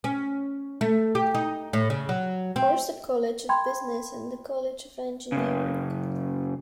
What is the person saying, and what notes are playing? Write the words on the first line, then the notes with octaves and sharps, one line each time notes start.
Ourso College of Business and the College of Engineering.
C#4
A3
G4
D#4
A2
C#3
F#3
C4
G5 B5 C6 G#6
F#2 C#3